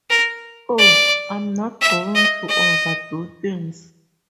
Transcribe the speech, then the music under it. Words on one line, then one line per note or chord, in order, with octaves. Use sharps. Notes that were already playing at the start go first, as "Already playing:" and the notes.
Oh, I’m not going to overdo things.
A#4
D5
E5
D#5
D#5